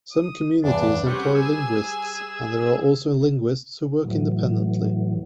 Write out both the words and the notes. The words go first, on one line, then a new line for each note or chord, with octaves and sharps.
Some communities employ linguists, and there are also linguists who work independently.
D#6
E2 G2 D4
G3 C4 C#4 G4 B4 F#5
G#4 G#5 E6
A2 E3 F#3